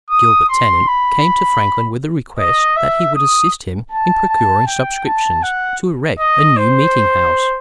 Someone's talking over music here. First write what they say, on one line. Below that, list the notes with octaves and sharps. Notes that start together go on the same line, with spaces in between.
Gilbert Tennent, came to Franklin with a request that he would assist him in procuring subscriptions to erect a new meeting-house.
D#6
C6
B5
D#5
E5
D#6
A5
A5
G5
A5
F#5
D#5
C5